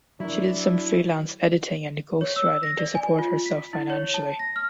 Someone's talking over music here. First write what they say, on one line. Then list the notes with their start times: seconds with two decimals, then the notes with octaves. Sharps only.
She did some freelance editing and ghostwriting to support herself financially.
0.20 F#3 D4 E4 A#4
2.21 C#5
2.36 E6
2.63 A#6
2.78 D5
2.95 G#5
3.19 F4
3.46 B6
3.73 E4
3.90 C#5
4.14 A5
4.39 A#6
4.56 F6